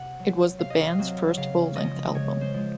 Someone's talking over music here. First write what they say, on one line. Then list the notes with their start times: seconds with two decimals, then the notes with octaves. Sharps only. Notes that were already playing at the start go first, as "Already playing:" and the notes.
It was the band's first full-length album.
Already playing: C3 F#5
0.19 F#3 C4
0.59 C3 F5
0.70 D#5
0.81 F5
0.99 F#3 C4
1.37 C#3 F5
1.76 F3 G#3 D#5
2.14 C#3 C#5
2.41 C5
2.54 F3 G#3